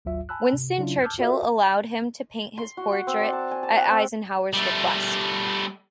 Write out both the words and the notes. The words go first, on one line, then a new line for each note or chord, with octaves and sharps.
Winston Churchill allowed him to paint his portrait at Eisenhower's request.
G#1 D2 F#3 F4 E5
G#5 A5 B5 E6 F#6
C3
C#3 F#3 C#4 D4 E4 F4
A5 D6 E6 F6 G6 G#6
F4 F#4 A4 A#4 D5 E5
C6
F#4
F#5
C4
D5
A5
G#5
A5
F#5
C4
G3 A3